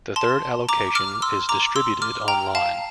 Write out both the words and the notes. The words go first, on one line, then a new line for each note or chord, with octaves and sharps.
The third allocation is distributed online.
A5 C6
A#5 D6
D6 F6
C6 E6
A#5 D6
C6 E6
D6 F6
G5 A#5
F5 A5